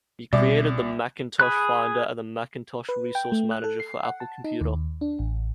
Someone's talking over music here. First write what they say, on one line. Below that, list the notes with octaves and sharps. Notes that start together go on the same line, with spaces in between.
He created the Macintosh Finder and the Macintosh Resource Manager for Apple Computer.
C2 B2 G3 D5
G#4 B5 F#6
B4
G5
A3
F#6
A4
C7
F#5
A5
D#4
D#2
D4
A1